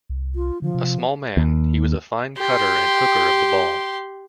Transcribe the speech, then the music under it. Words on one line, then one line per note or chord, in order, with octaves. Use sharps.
A small man, he was a fine cutter and hooker of the ball.
C2
F4
D3 F3
C3
D#2
G4 C6